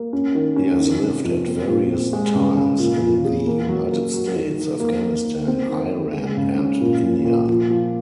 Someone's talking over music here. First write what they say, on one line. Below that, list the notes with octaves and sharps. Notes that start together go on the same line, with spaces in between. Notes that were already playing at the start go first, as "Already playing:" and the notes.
He has lived at various times in the United States, Afghanistan, Iran and India.
Already playing: A#3
C#4
D#3
C#4
D#3
C3
F2
C4
A#2
C4
G#3
C#3
C#3
A#2
A#2
G#4
A#3
F#3
A#3
F#3
D#3
D#3
A#3
A#3
A#3
C4
D#3
D#3
G#3
C#3
C#4
A#2
A#2
A#2
F3
F3